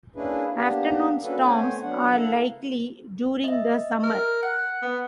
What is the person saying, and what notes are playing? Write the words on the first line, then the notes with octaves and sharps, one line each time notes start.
Afternoon storms are likely during the summer.
A#3 C#4 D4 E4 G#4 B4
A#3 B3 D4 G4
A#3 C#4 D4 F#4 A4 B4
A3 B3 C4 C5 C#5 G#5
F#3 B3 D4 F#5
E4 A4 A#4 F5 F#5
D#5 E5
A#4
F#5 F#6
B3